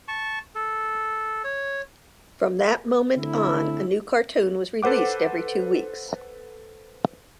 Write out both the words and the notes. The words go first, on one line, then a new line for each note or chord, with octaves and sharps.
From that moment on, a new cartoon was released every two weeks.
A5 C#6
A4
C#5
D3 A3 C4 E4
A4 B4 C5 F#5 D6